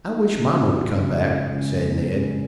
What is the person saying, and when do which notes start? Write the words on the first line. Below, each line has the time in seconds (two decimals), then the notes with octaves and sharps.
"I wish mamma would come back," said Ned.
0.10 D#4
0.21 F4
0.32 C#3 G#3 C#4 D#4 F#4
0.92 C#3 G#3 C#4
1.52 C#3 G#3 C#4 F4
2.12 C#3 G#3 C#4